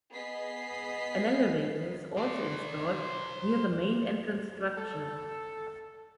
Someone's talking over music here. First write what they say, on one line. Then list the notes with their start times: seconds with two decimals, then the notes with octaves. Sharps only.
An elevator is also installed near the main entrance structure.
0.11 B3 G#4 D#5 B6 C7
2.18 C5 D5
4.77 A4